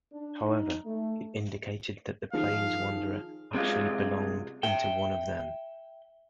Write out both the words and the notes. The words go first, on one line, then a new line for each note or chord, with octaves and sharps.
However, it indicated that the plains wanderer actually belonged into one of them.
D4
D#4
A3
D#3 F3 G#4 F5
C3 G#3 F4
E5 G5